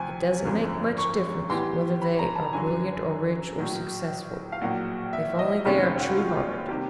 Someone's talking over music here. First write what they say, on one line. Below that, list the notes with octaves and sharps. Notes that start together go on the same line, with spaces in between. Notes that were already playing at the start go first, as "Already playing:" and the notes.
It doesn't make much difference whether they are brilliant or rich or successful, if only they are true-hearted.
Already playing: D2 C3 F3 G#5
G#1 F#2 D3 F3
C#6
A2 E3 G3 B3 C6
B5
A#5
A5
F#2 D3 F#3 G#5
A#1 A2 F#3
F5
A#1 A2 F#3 A#3 F#5
E5
D#5
F1 D#2 D#3 G#3 C#4 D5
C5
F#4
F4
C3 D#3 G3 A#3 G4